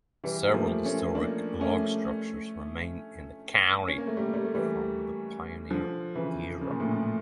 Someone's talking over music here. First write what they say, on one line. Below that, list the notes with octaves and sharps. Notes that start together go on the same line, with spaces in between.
Several historic log structures remain in the county from the pioneer era.
E3 G3
A#3
F3 A3
A3 C#4
A#3 D4
A3 C#4
C#4
A#3
A3
G3 A#3
G3
A3
E3 G3
D3 F3
C#3 E3
C#3
A#2
A2 C#3